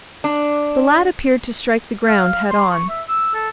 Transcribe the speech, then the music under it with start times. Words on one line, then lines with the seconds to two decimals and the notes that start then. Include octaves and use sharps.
The lad appeared to strike the ground head-on.
0.24 D4
2.08 F5
2.51 C6
2.72 C#6
2.89 E5
3.07 E6
3.34 A4